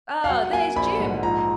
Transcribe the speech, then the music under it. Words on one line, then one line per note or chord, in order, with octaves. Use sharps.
Ah, there's Jim!
F5
F#3 F#5
A#3 G#5
A#1 B5
G#2
F3 A#5